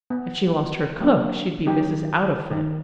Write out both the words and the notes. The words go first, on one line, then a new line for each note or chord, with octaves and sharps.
If she lost her cook she'd be Mrs. Outofit.
B3
F#3 A#3 B3 D4
D#3 F#3 D#4 G4
D#3